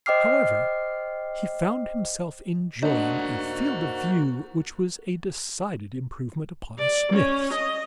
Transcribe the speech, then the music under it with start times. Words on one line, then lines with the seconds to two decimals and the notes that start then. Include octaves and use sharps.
However, he found himself enjoying a field of view which was a decided improvement upon Smith's.
0.06 C5 D#5 G5 D6 F6 C7
2.83 A#3 D4 F#4 C5 D#5 F#5
6.79 D5
7.12 C#4
7.54 D#5